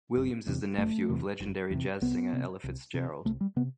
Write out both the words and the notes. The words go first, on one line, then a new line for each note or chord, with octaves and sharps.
Williams is the nephew of legendary jazz singer Ella Fitzgerald.
F#1
E2 C3
F#1 A3
E2 C3
F#1
E2 C3
C2 B3
C3
C2
C3
C2 A3
G3
C3 B3